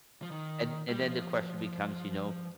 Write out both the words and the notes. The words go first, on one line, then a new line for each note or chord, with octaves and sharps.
and and then the question becomes, you know,
F3
D#3
G3
F3